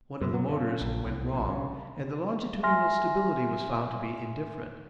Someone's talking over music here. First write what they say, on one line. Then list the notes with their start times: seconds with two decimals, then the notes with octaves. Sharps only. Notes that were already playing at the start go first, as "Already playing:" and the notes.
One of the motors went wrong, and the longitudinal stability was found to be indifferent.
0.21 F#2
0.34 F#3
0.49 C#3
0.81 A#1
1.05 C2
1.33 A#1
1.50 C#3
2.63 E5 G#5 C6 F6 A#6